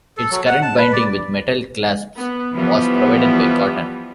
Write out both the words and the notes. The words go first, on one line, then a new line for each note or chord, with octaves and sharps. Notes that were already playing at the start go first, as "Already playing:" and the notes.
Its current binding, with metal clasps, was provided by Cotton.
A4
F#3
F#5
A5
B4
D5
B3
E3 F3 G3 B3